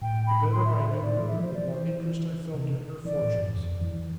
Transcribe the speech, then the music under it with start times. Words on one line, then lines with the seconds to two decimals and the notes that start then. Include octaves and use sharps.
'The better I knew her, the more interest I felt in her fortunes.
0.02 A2 G5
0.27 B5
0.52 C6
0.65 E5
0.77 E5
0.90 C5
1.02 A2 D5
1.20 E3
1.28 E5
1.36 F3
1.42 C5
1.53 E3 D5
1.70 C5
1.87 C5
2.54 C3
3.05 E3 D5
3.22 A2
3.38 G2
3.56 F2
3.81 E3